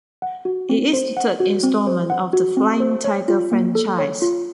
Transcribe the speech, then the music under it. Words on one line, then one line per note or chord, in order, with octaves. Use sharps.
It is the third installment of the "Flying Tiger" franchise.
F#5
F#4
C4
C5
F#5
F#4
C4
C5
F#5
F#4
C4
C5
C#5
F4
A#3
A4
C#5
F4